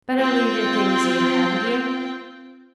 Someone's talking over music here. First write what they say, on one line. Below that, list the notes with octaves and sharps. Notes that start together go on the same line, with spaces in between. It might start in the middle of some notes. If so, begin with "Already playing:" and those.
Better leave your things here, hadn't you?
C4 F4 G5